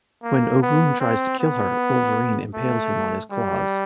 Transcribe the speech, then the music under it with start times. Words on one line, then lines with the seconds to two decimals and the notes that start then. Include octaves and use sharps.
When Ogun tries to kill her, Wolverine impales him on his claws.
0.23 A#3
0.62 B3
1.01 C4
1.39 B3
2.54 A3
3.31 G3